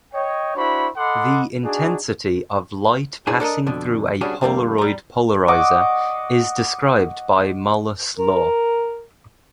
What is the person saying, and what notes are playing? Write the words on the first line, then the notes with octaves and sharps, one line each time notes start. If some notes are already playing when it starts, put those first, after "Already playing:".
The intensity of light passing through a Polaroid polarizer is described by Malus' law.
C#5 D#5 G5
D4 E4 F#4 C5 B5 C#6
A4 D#5 F#5 B5 C6 D6
D4 D#4 F#4 G#4
D4 E4 G#4 C5 G#5
D4 A4 A#4 D#5
F2 B2 D3
C#3 G3 C#4 D4 F#4 G#4
F2 D3 G3 A#3
G3 A#5
D#5 F#5 C#6 D6
A#4